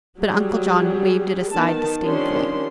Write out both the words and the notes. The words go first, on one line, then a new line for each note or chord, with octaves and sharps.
But Uncle John waived it aside disdainfully.
F#3 G3 G#4
D#3 B3 A5
D#3 F3 G3 C#4 D4 C6